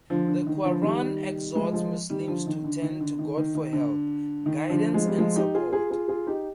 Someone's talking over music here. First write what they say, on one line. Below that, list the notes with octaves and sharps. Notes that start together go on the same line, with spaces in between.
The Qur'an exhorts Muslims to turn to God for help, guidance and support.
D3 F3
D3
D#3
D3 F3
D#3 G3
F3 G#3
F3 G#3
D#3 G3
D3 F3
D#3
D3
D#3
D3
D#3
D#3
D#3
D3
D#3
D3 F3
F3 G#3
G3
F3 G#3
D#4 G4
F4 G#4
F4 G#4
F4 G#4
F4 G#4
D#4 G4